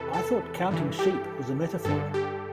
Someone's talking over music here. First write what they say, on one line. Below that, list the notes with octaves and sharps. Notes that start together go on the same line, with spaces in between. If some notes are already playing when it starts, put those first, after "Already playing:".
I thought "counting sheep" was a metaphor.
Already playing: E2 C3 E3 A4 B4
A4
G2 E3
G4
G2 D3 A4
G4